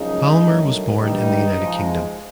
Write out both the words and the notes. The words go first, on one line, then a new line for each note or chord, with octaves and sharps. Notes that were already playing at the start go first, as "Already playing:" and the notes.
Palmer was born in the United Kingdom.
Already playing: F#2 C#3 F3 G#3 D#4
G2 D#3 F#3 A3
G2 D#3 G3 D#4
G#2 F3 G#3